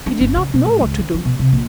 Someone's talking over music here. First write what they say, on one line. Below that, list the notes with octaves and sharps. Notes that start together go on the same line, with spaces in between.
He did not know what to do.
D4
G1
C#3
B2
A2
C#2
D3
F3
B2
C3
A#1